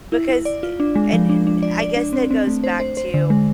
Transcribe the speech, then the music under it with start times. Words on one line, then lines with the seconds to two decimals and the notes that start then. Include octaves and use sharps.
Because eh, an and I guess that goes back to
0.12 E4
0.28 E4
0.45 D5
0.63 F4
0.80 D4
0.96 G#3
1.13 F3
1.29 D4
1.47 D4
1.63 D5
1.80 D5
1.97 D4
2.13 C4
2.31 C4
2.47 A3
2.64 C5
2.80 C5
2.97 C5
3.14 D3
3.30 G#3